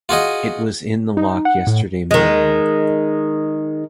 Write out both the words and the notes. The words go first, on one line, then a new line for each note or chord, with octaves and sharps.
It was in the lock yesterday morning.
F4 F#4 G#4 D#5
D#4
F#5
A2
D#3 G#3